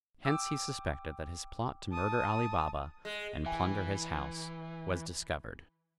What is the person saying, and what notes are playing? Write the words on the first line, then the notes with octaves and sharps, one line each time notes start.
Hence he suspected that his plot to murder Ali Baba, and plunder his house, was discovered.
G5 D6 E6
A5 D#6
G#3
E3 E5 G5 G#5